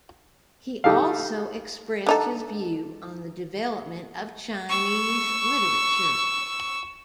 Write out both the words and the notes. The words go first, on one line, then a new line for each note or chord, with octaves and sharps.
He also expressed his view on the development of Chinese literature.
D#4 G4 A4 F5
D3 D#4 A4
C#6 E6